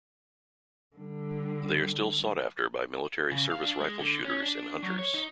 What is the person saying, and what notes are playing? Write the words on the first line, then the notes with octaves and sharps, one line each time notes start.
They are still sought after by military service rifle shooters and hunters.
D3 G3
C#3
F5
D4
G#3
D3
C#4
D4
F#3
C#5
D#4